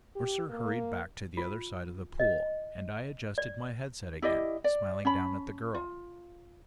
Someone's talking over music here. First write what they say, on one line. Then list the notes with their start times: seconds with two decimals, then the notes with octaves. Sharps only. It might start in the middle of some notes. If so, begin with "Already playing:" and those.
Mercer hurried back to the other side of the pool, and I adjusted my head-set again, smiling down at the girl.
0.16 G4
0.50 A#3
1.37 F4
2.20 D#5
3.38 D5
4.22 E4 G4 D5 D#5
4.64 D5
5.05 C#4 A5 B5
5.75 F4